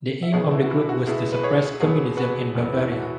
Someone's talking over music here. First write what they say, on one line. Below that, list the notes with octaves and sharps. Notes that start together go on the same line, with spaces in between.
The aim of the group was to suppress Communism in Bavaria.
E5
C#2 B2 B3 G#4 C#5
E4
F#4
E4
E4
F#4
C#2 B2 B3 E4 G#4
B4
G#4 C#5
E1 E2 B2 F#3 B3 G#4 C#5
F#4 B4
E1 E2 B2 F#3 B3
E4
F#4
F#4